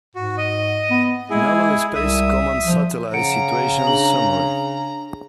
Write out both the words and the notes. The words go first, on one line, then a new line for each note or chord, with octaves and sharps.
Naval Space Command Satellite Situation Summary.
G#2 F#4
D#5
B3
G#3 E4 G#4
C2 E5 D#6
F3
C#3 F#5 A#5 C#7 D7
D4 G#4 F#7